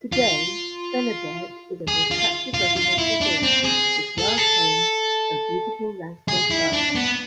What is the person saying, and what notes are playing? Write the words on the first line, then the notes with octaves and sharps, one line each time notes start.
Today Vernonburg is an attractive residential village with large homes and beautiful landscaped gardens.
F4
G#4
F4
F4
F4
E4
D4
C4
G#4
A4
G#4
A4
G#4
E4
D4
B3